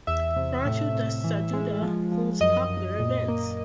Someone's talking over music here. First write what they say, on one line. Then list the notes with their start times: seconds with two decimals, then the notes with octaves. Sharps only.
Rancho da Saudade holds popular events.
0.07 E2 E5
0.36 C3
0.66 A2
0.95 A2
1.24 E3
1.53 G#3
1.82 F3
2.11 F3
2.41 F#2 D#5
2.70 F#2
2.99 A#2
3.28 A#3